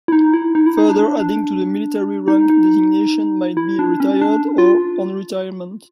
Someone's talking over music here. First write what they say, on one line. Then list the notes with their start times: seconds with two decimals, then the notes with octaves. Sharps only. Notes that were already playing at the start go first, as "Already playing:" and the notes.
Further adding to the military rank designation might be "retired" or "on retirement".
0.08 E4
0.12 D#4
0.33 E4
0.55 D#4
0.66 E4
0.77 D#4
0.88 D4
0.99 D4
1.20 D4
2.28 D#4
2.50 D#4
3.57 E4
3.79 D4
4.00 C#4
4.21 D4
4.58 F4